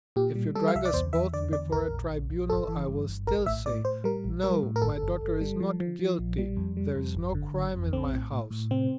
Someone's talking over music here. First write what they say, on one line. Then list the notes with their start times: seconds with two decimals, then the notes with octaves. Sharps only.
If you drag us both before a tribunal I will still say, 'No, my daughter is not guilty;--there is no crime in my house.
0.16 A#2 G4
0.35 G3
0.55 G3 A4
0.68 F5
0.75 C2 E5
0.85 D5
0.94 E2 C5
1.13 E2 E5
1.33 D3 D5
1.52 E2 D5
1.71 A#1 A#4
1.91 A#1
2.10 A#1
2.30 A#1
2.50 G1 A4
2.68 E3
2.88 G2
3.08 G1
3.27 A#1 A#4
3.46 A2 E5
3.65 A2 D5
3.85 A2 C5
4.04 G3 A#4
4.24 A#1
4.43 G3 A#4
4.63 A2
4.76 A#4
4.82 G1 A4
5.02 G1
5.22 G1
5.41 G3
5.60 F3
5.80 F3
5.99 F3
6.19 A#1
6.38 G3
6.57 F2
6.77 G3
6.96 F2
7.15 G1
7.35 D3
7.54 G1
7.74 F2
7.92 A#1 C4
8.12 A2
8.32 A2
8.51 A2
8.71 C3 C4